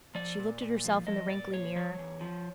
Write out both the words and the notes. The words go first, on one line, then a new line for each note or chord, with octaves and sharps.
She looked at herself in the wrinkly mirror.
F3 D5
A#2
A#2
F3
F3 D#5
A#2 D5
A#2 C#5
F3 C#5
E2
F3